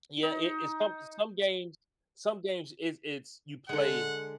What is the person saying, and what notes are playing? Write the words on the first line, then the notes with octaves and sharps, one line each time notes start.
Yeah, it it's some some games some games, it's it's you play
D#4
D3 G#3 F#5